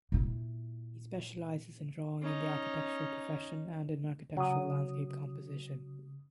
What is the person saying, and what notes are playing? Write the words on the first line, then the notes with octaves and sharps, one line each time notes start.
He specialises in drawing in the architectural profession and in architectural landscape composition.
A#2 E4
C#4 D#4
C#3 F#3 D#6